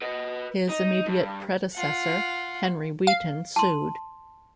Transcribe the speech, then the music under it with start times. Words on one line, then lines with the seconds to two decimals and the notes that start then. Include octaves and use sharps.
His immediate predecessor Henry Wheaton sued.
0.02 B4 D#5
0.69 D#4
1.07 G2
1.73 F4 F#5
3.07 F5
3.56 A5 C6